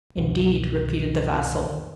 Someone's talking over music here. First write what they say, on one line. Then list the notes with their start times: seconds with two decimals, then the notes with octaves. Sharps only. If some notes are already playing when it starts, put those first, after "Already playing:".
"Indeed;" repeated the vassal.
0.17 C2 F2 B2 D3